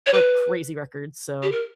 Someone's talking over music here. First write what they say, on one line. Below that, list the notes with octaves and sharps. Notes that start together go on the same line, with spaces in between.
broke crazy records, so
C#5
B4
G4
A#4